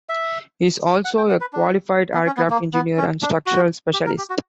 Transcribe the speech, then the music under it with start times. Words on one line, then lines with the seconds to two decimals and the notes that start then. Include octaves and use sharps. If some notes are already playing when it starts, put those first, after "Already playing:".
He is also a qualified aircraft engineer and structural specialist.
0.09 E5
1.05 F#5
1.18 G5
1.29 F#5
1.41 B4
1.53 D4
2.14 B3
2.26 C#4
2.37 B3
2.50 A#3
2.74 B3
2.98 C#4
3.22 D4
3.46 F#4
3.93 G4
4.06 A#4
4.18 G4
4.30 F#4